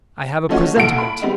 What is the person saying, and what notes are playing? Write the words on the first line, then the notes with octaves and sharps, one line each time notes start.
I have a presentiment.
F3 A3 C#4 D#4 F4 F#4
C2 A#2 A4 F#5 D7
B5
G3 G#3 B3 C4 D#4